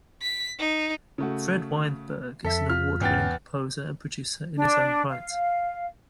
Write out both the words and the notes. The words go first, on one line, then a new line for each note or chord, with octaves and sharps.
Fred Weinberg is an award-winning composer and producer in his own right.
B6
D#4
C#3 A3 F#4
F2 A4 E5 B6
F4 F6
E2 G#2 C#4 G5 A6
D4
F5